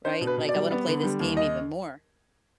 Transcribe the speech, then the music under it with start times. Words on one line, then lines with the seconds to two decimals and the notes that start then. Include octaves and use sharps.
right? Like, I wanna play this game even more."
0.05 D4 C5
0.21 B2
0.27 B4
0.38 B2
0.49 D5
0.54 G3
0.71 B3
0.87 D3
1.03 G3
1.20 D#2
1.37 D#5